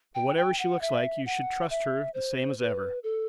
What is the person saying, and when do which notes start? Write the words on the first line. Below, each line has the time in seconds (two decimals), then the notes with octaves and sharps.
But whatever she looks like, you should trust her the same as ever.
0.15 G5
0.37 G5
0.59 F#5
0.81 E5
1.26 F#5
1.70 E5
2.14 C5
2.59 B4
3.03 A4